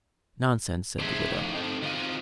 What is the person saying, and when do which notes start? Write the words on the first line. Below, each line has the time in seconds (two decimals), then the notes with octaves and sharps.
"Nonsense," said the widow.
0.99 A2 C4 D4 D#4 G#4 E5
1.32 A2 D3 F3 D#4
1.54 C4 D#4 A4
1.82 D#3 F#3 C4 F4 D#5